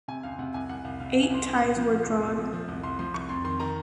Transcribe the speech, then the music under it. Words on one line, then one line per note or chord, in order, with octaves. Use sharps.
Eight ties were drawn.
C3 G#5
C#2 F5
C3 F#5
C2 G#5
C2 F#5
C2 F5
C3 F5
C2 F#5
G#5
C2 C6
C2 C6
A#2
F3
A#2
C2
A#2
F3
F3
C2
C2 C6
F3 C6
C2 C#6
F2 C6
D#3 C6
D#3 A#5